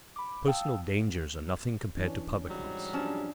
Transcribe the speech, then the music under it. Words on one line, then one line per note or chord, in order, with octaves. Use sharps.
Personal dangers are nothing compared to public ones.
B5 D6
F5 G5 A5 D#6 E6
E3 C#4 D4
G#2 F#3 G3
F3 C#4 D4 A5